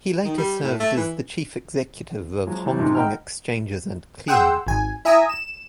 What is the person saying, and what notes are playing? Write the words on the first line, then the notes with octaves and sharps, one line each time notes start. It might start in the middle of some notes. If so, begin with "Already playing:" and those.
He later served as the chief executive of Hong Kong Exchanges and Clearing.
D#3
G3
A2
A3
E3
F3 F#3 G#3
C#3 E3 F#3 G3 E4
G#2 C3 D#3 F3 G#3 D#4
D#5 F#5 G5 A#5 B5 F6
G#4 F#5 G5 C6 E6
G#1 G#5
E4 E5 G#5 A#5 D#6
E7